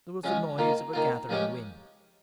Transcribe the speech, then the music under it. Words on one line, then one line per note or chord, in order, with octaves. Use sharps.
There was the noise of a gathering wind.
F3 G#3 C#4
D#3 A#3 F4
D#3 A#3 F4
F3 G#3 C#4 G4